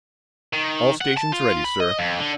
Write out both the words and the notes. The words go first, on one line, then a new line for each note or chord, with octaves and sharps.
"All stations ready, sir."
D#3
F#5
A5
F4
B5
D#5
F2
D3